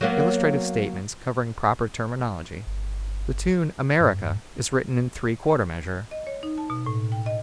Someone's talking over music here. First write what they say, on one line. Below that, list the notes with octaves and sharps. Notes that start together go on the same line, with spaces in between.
Illustrative statements covering proper terminology: the tune "America" is written in three-quarter measure.
F#3 A#3 B3
G1
G2
D#5
C#5
D#4
A5
B2
A2
G5
D#5